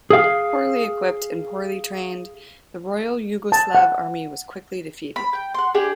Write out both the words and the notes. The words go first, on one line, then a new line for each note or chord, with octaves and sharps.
Poorly equipped and poorly trained, the Royal Yugoslav Army was quickly defeated.
G#4 F5
A5
F#5
B5
G5
F#5 C6
D4 G4 G#4